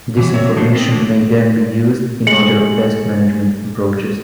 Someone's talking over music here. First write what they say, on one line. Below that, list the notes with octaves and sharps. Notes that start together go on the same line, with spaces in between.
This information may then be used in other pest management approaches.
B2 E3 F#3
F#3 A#3 C4 C#5 E5
D3 F3 D4 D#4 F#4 C5
B3 C4
D#3 F#3 A#3 D4
G#3 C#7 F#7